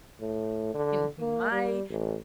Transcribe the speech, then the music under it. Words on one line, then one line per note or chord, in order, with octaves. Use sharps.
in my
A2
D3
A#3
G3
A1